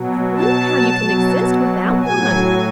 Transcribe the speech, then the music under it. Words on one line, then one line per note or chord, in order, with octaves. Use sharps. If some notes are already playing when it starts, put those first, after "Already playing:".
'I wonder how you can exist without one.
Already playing: B2 F#3
A5
B2 F#3
A2 F#3 G#5